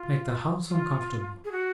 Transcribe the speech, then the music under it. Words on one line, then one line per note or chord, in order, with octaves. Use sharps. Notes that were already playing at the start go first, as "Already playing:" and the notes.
I make the house uncomfortable.
Already playing: F4
F4
G#4
F#4